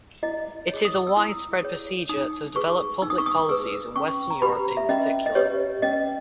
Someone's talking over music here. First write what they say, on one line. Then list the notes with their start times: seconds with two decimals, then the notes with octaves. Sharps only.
It is a widespread procedure to develop public policies in Western Europe in particular.
0.23 E4 D#5
0.69 G#4 C#5
0.85 D#6
1.07 E6
1.17 E4 D#6
1.63 G#4 C#5
2.09 D#4 D#6
2.56 G#4 B4 C#6
3.02 D#4 E6
3.10 D#6
3.18 C#6
3.26 D#6
3.49 G#4 B4 E6
3.96 C#4 C#6
4.30 A#5
4.42 G4 B4 B5
4.77 E5
4.89 C#4 D#5
5.26 D#5
5.35 G4 B4 C#5
5.82 C#4 D#5